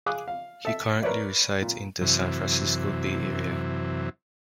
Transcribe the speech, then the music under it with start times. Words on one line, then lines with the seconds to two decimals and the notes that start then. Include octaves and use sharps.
He currently resides in the San Francisco Bay Area.
0.06 G#4 F5 D6 D#6 F#6
0.28 F5
0.65 A4 E5
1.02 A#4 B4 C#5 D5 E5
1.62 A#2
2.01 F#2 C3 E3